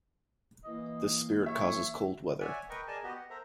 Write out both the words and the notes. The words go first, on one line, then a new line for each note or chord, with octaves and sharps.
This spirit causes cold weather.
E3 A#3 D#5
C#5 E5
C#5 D5 E5 F#5 G#5
A#4 B4 D#5 G5 C#6
G#4 A#4 D5 D#5 G#5 A5
B3 F#4 G4 D#5
F#5
A4 A#4 C5 E5 A#5